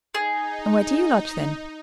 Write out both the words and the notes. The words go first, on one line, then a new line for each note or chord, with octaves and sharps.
"And where do you lodge, then?"
D#4 G#4